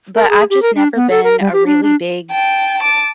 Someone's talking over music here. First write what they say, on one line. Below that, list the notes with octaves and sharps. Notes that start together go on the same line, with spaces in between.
But I've just never been a really big
A#4
G#4
G4
A#4
D4
B3
A4
A#4
G3
G4
D4
D4
G5 A5
A5 D6